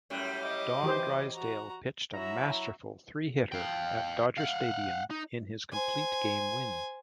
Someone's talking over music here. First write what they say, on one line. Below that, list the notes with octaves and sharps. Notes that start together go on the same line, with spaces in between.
Don Drysdale pitched a masterful three-hitter at Dodger Stadium in his complete-game win.
F#2 A2 G3
D#5 D6
E3 G4 C5
F#4 A#5
F#3 E4 F#4 E5 A#5
F5 G5
F5 F#5
D#4
C5 G#5